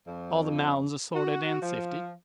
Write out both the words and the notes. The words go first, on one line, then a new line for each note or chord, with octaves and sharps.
All the mounds are sorted and sifted?'
F2
F#4
F3